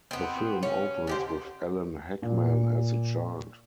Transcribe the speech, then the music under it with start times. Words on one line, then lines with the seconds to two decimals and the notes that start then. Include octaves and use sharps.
The film opens with Alan Hakman as a child.
0.11 B3 C4
0.63 C#4
1.07 D3 G4 C5
2.22 A#2